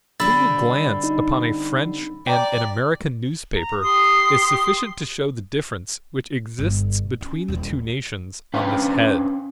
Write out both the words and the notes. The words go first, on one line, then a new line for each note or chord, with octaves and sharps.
A single glance upon a French and an American newspaper is sufficient to show the difference which exists between the two nations on this head.
D3 G3 C4 B5 E6 A6
D#4
D5 G5 A#5
A#5
G4 C6 D#6
G1 B3
C#4
D#1 E2
C#4 D4 B4 C5 F5 G5